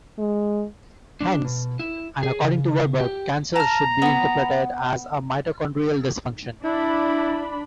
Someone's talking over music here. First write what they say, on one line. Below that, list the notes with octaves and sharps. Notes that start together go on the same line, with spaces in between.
Hence, and according to Warburg, cancer should be interpreted as a mitochondrial dysfunction.
G#3
D4
B2
E4
G#4
C#3
G4
A5 A#5 F6
B3 B5
D4 E4 B5